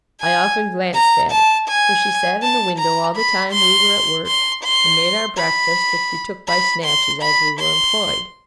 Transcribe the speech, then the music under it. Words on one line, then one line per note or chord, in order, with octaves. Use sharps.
I often glanced at it, for she sat in the window all the time we were at work; and made our breakfast, which we took by snatches as we were employed.
G#5
A#5
A5
G#5
A5
A#5
B5
C6
C6
C6
B5
B5
C6
B5
C6